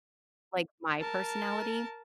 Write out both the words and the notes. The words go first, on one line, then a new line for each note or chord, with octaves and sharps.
like, my personality,
A#4 A5